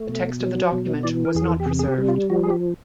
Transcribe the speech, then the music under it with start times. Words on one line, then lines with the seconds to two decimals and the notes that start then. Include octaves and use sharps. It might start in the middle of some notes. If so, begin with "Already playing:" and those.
The text of the document was not preserved.
Already playing: A3
0.09 B2
0.40 F#3
0.72 B2
1.03 E3 D5
1.25 A#4
1.35 E2 G#4
1.46 A4
1.60 G4
1.66 C3 G#4
1.79 G#4
1.88 G4
1.98 G3
2.08 F4
2.30 F3 F#4
2.43 G#4
2.50 G4